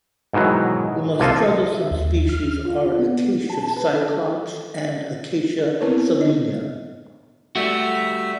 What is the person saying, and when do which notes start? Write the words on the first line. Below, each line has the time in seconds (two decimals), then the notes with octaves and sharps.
The most troublesome species are "Acacia cyclops" and "Acacia saligna".
0.33 G#2 B2 D#3 E3 F#3
1.20 C2 A#3 F4 A4 D#5
1.74 E5
1.91 D#2
2.29 F6
2.65 F4
2.99 B3
3.50 A5
3.77 B4
3.93 A4
5.59 A4
5.81 B3 C4 E4 A#4 B4 C#5
6.20 C#5 D#5
7.56 G3 A3 F#4 E5